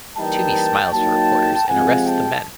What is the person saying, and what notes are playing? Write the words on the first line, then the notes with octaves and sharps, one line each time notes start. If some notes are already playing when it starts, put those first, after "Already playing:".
Toomey smiles for reporters and arrests the men.
E3 G3 A#3 D#4 G5 A5
F#3 A#3 D#4 G5 A5
C3 F3 G#3 C4 F#5 G#5
G5 A5